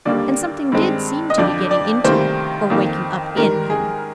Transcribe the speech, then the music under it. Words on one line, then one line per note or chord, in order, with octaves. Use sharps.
And something did seem to be getting into, or waking up in, him.
D#2 D3 G3 A#3 D5
G2 D#3 G#3 C4
D#5
F2 D3 F3 D5
D5
D2 C3 D#3 G3 A#3 C5
F2 D#3 A#3
G#2 D#3 G3 A#4
G#4